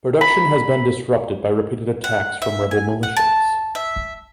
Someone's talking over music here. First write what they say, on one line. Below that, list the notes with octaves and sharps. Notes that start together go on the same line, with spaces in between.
Production has been disrupted by repeated attacks from rebel militias.
B5
F#5
E5
G#5
F#5
A5
E5